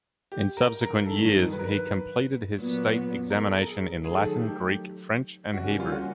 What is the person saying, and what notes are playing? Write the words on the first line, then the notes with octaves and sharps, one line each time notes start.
In subsequent years, he completed his state examination in Latin, Greek, French and Hebrew.
G4
A#4
A#4
G2 D#3 F#3 A4
B4
A#4
B4
A#2 F#3 B3
A#4
A4
A#4
G#4
D#3 F#3 A3 G#4
A4
G#4
G4
C#3 E3 G3 A#3 C#4 F#4
F4
F#4